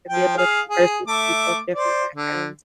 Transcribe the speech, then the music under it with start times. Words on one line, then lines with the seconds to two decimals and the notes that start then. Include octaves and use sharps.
to be able to converse with people of different backgrounds.
0.08 F3 G5
0.37 G#4 F5
0.69 G#4
1.07 A3 E5 D6
1.75 C5 D5
2.15 D3